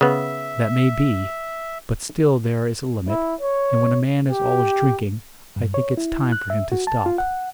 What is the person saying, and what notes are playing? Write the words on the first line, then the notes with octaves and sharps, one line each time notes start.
"That may be, but still there is a limit, and when a man is always drinking, I think it's time for him to stop."
C#3 B3 E5
E4
C#5
G4
G2
C#5
E4
F#6
E5
F#4
A5
F4
F#5